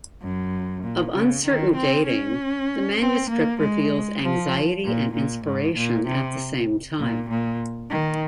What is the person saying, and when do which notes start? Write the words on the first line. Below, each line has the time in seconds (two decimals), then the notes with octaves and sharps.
Of uncertain dating, the manuscript reveals anxiety and inspiration at the same time.
0.22 F#2
0.83 A#2
1.15 C#3
1.46 D#3
1.76 C4
2.06 C#4
2.99 C4
3.30 A#3
3.60 G#3
4.22 F3
4.84 A#2
5.14 A#2
5.45 G#2
5.76 A#2
6.07 C3
6.98 A#2
7.29 A#2
7.90 D#3